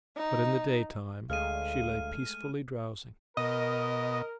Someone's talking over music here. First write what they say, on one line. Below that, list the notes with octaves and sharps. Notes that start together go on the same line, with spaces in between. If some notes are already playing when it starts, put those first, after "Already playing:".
But in the daytime, she lay peacefully drowsing.
D#4
D2 G#3 A3 G#4 F5 F6 D#7
B2 A#4 D#5